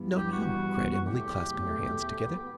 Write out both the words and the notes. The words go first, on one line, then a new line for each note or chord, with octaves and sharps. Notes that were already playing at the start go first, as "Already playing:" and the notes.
'No! no!' cried Emily, clasping her hands together.
Already playing: G2 E3 B3
G4
F#4
E2 C3 F#3 A3 G4
B3